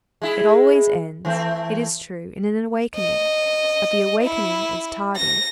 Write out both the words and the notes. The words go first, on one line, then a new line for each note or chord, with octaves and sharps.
It always ends, it is true, in an awakening, but the awakening is tardy.
G#3 E4 G#4
E3 A3 C4
D#5
E4
A#6